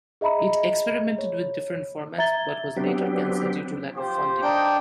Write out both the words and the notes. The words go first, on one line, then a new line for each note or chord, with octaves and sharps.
It experimented with different formats but was later cancelled due to lack of funding.
G#4 D#5 E5 A#5 B5
C#5
E5 A#5 G#6 A6 G7
F#3 B3 C4 D4 G4
F4 G4 C5
A#3 D4 D#4 G5